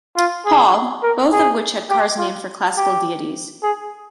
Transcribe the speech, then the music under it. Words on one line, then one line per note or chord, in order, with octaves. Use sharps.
Paul, both of which had cars named for classical deities.
F4
G#4
A#4
G#4
G4
F4
G4
G#4